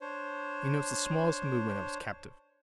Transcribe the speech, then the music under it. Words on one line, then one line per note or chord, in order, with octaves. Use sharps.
He notes the smallest movement of his captive.
D4 C5 C#5